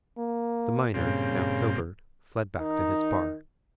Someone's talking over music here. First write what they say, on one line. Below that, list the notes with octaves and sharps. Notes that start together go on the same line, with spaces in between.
The miner, now sobered, fled back to his bar.
A#3
G2 A#2 C#3 C4
D#3 D#4